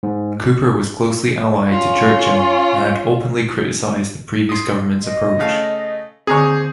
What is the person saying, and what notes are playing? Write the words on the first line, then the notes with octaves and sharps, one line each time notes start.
Cooper was closely allied to Churchill and had openly criticised the previous government's approach.
G#2
C#4 F4
C6 D#6
D#5
C#3 A3 F5
D#2 D3 C4 G#4 C5 A#5 C#6